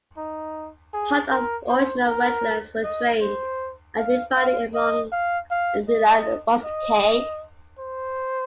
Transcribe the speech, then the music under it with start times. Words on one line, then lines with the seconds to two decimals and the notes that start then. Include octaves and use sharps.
Part of the original wetlands were drained and divided among "villae rusticae".
0.17 D#4
0.94 G#4
1.31 A#4
1.69 C5
2.07 A#4
2.84 D#5
3.21 C5
3.98 F5
4.36 F5
4.74 D#5
5.12 F5
5.50 F5
5.88 D#5
6.64 D#5
7.78 C5